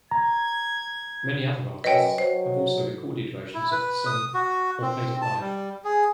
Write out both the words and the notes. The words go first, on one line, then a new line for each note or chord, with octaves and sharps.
Many other artists have also recorded versions of the song or played it live.
A#5 G#6
F#2 B4 C#5 D#5 G5
F#3 C5
E4
B4
D#6
F#4
C4
A5
G3
G#4